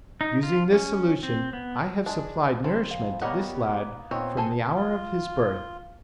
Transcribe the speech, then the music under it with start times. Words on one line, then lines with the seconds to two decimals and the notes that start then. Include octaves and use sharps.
Using this solution, I have supplied nourishment to this lad from the hour of his birth.
0.21 D#4
0.43 F4
0.72 C#4
1.23 C4
1.53 B3
2.06 G#3 D4 G#4
2.64 C#3 C4 A5 B5
2.87 F2 A#2 F5
3.22 G3 A#3 B3 G4 C#5 D#5 F#5
4.11 A#2 D#3 B3 C4 C#5
4.37 G#4 A4 G#5
4.75 F4